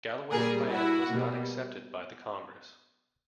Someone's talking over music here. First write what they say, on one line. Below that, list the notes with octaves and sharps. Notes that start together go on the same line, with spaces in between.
Galloway's plan was not accepted by the Congress.
A#2 G3 A#3 G#4 A#4
E4 F#4
B2 G3 A#3